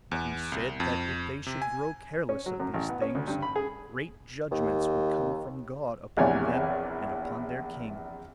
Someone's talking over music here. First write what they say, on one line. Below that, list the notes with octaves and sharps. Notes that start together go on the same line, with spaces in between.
But he said, that if they should grow careless of these things, great judgments would come from God upon them, and upon their king.
E2
C2
F2
C3
G#5
C#4
F#3
F#2
A1
B3
C#4
D2
G2
B5
G#4
D#2
A#1 E2 C3 C#5 D5 G#5